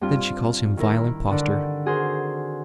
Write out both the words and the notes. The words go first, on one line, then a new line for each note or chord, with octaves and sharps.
Then she calls him vile impostor.
G2 C4 F4
D#3 E4 A#4
D3 D#3 D5
F#4 G#4 A#4 C5